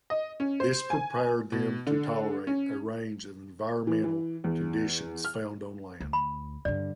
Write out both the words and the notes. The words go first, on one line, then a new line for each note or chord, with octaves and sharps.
This prepared them to tolerate a range of environmental conditions found on land.
D#5
C#4
C5
G#5
B2
D3
C#4
E3
E3
E2
F6
D2
B5
G2 D3 D5